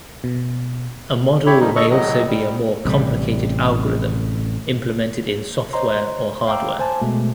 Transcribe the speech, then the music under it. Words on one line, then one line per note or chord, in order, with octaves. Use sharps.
A model may also be a more complicated algorithm implemented in software or hardware.
B2
E4 G4 C#5 B5
D#3 F3 G3 D#4
A4 D#5 C#6
E2 A2 F#3 D#5
G3
A1 C3 G3
C5 C#5 D#5 A#5 C6
F5 G5 A#5 D6 E6
C5 G#5 A5
B2 G#3 A3